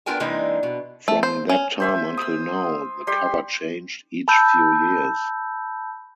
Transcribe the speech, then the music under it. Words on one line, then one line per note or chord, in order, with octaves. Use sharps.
From that time until now the cover changed each few years.
B3 D4 F4 A#4 G5 G#5
C3 E3 G#3 A#3 D4 D#4
B2
A3
C5
C#4
C5 E5 G#5
D#6 E6
G3 G4 C6
A5 B5 E6 G6